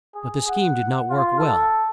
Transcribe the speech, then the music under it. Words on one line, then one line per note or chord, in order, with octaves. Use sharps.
But the scheme did not work well.
G#4
F#5
F4
A4